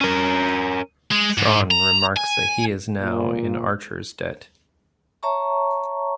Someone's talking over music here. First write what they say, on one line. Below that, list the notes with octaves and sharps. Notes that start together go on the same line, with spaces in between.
Shran remarks that he is now in Archer's debt.
C#4 A#4
G#3
G#2
A#5
G#5
A#2
C#5 E5 A5 A#5 C#6